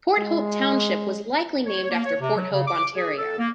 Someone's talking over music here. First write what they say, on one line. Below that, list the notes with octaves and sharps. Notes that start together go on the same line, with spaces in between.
Port Hope Township was likely named after Port Hope, Ontario.
G#3
C#5
A#3
C#5
C3
F#3
C#3
D6
G#4
A4
A#3